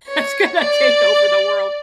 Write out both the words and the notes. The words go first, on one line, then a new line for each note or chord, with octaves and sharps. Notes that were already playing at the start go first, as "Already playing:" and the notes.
It's gonna take over the world.
C#5
D5